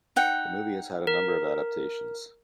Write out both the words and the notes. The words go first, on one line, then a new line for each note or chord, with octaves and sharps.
The movie has had a number of adaptations.
D#4 F#5 G5
A#4